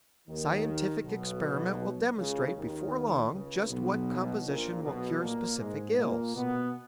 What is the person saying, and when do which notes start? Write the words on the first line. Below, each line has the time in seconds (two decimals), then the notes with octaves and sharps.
Scientific experiment will demonstrate before long just what composition will cure specific ills.
0.28 D#2 D#3
1.03 B1 B2
2.18 C#2 C#3
2.55 D#2 D#3
3.32 C#2 C#3
3.70 B1 B2
4.45 A#1 A#2
4.83 B1 B2
5.22 A#2 A#3
5.60 G#2 G#3
5.97 A#2 A#3
6.35 B2 B3